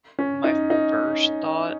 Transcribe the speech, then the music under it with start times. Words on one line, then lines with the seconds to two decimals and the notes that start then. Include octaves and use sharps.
my first thought
0.19 C#4
0.44 D#4
0.70 D#4